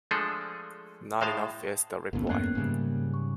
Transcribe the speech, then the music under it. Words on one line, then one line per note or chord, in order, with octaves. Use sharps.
Not enough, is the reply.
F3 G#3 A3 D4 G#4 A4
A2 G#3 C5 F5 A5
F#1 B1 A2 A#3 B3 C#4
E2 G2 A3 F#6 G#6 C7
G#2 C#3 G3 A#3
C#6